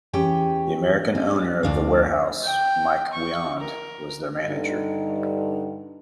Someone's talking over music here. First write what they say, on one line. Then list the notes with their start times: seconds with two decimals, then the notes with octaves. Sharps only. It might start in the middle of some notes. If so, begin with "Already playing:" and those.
The American owner of The Warehouse, Mike Wiand, was their manager.
0.13 E2 C#4 G4 G5
1.15 C#4
1.63 D2 D4 F5
2.44 G5
3.13 C#6
3.59 A#4
4.47 G2 D3 D#4